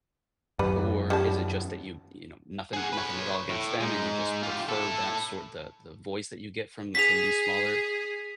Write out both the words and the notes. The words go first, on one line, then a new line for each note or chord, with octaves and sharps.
or is it just that you you know, nothing nothing at all against them, and you just prefer that sort the the voice that you get from from these smaller,
F#2 D#3 G3 B4
G3 C#4 A5
G#4 F#5
B4 C#5
A2
G#3 D#4
F4 G4
E4 A4
G#4 B6 F7